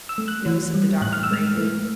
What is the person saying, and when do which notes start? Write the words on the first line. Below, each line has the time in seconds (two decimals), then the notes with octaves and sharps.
"No," said the doctor gravely.
0.09 E6
0.18 A3
0.28 F#6
0.46 E3
0.74 G3
1.02 A2 F#6
1.13 F6
1.23 E6
1.31 G#3 F6
1.58 A3